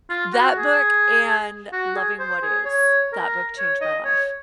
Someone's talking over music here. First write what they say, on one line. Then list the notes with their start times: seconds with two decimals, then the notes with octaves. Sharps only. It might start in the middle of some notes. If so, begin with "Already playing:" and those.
that book and Loving What Is that book changed my life.
0.10 F4
0.33 F#4
0.57 G#4
1.72 F#4
1.96 G#4
2.19 C5
2.43 G#4
2.65 C#5
3.13 A#4
3.58 C#5
3.81 D#5
4.04 C#5